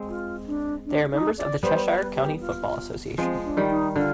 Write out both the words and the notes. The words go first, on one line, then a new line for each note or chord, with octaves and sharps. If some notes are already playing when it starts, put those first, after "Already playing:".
They are members of the Cheshire County Football Association.
Already playing: G#3 C4
F4
D4
D4
D#4
D5
G3 B3 C5
B4
G4
F4
F3 G#3 C4
D4
D#3 G3
D#4
D3 F4